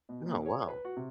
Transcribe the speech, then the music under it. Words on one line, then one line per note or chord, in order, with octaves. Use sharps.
Oh, wow.
B2
A#2
C#5
B4
F#4
C3